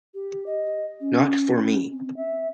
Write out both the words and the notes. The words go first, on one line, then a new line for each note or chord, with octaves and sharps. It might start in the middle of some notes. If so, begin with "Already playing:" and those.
Not for me.
G4
D#5
C#4
C#4
C4
E5